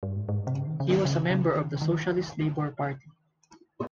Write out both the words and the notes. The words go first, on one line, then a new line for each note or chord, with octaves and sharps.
He was a member of the Socialist Labour Party.
G2
G#2
G#2
C3
C#3
D#3
C#3
D#3
C#3
C#3
D#3
D#3